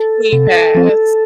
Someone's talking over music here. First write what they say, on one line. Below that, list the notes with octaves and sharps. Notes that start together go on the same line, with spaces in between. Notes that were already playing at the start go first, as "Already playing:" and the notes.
he passed.
Already playing: A4
C3
F3 C4